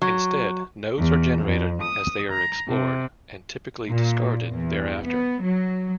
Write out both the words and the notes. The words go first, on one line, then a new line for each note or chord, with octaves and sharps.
Instead, nodes are generated as they are explored, and typically discarded thereafter.
F#3
E2
F2
D#6
A#5
C3
A#2
E2
B3
F#3